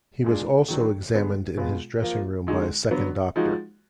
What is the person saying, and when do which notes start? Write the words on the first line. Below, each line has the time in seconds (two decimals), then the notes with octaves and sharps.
He was also examined in his dressing room by a second doctor.
0.24 A#2 G#3 D4
0.68 D#3 F#3 D4
1.14 D3 G#3 B3
1.57 B2 G#3 B3 F4
2.02 F3 A#3 F4
2.47 D3 G#3 D#4 F#4
2.91 D3 F#3 B3
3.36 F3 G#3 D#4 F#4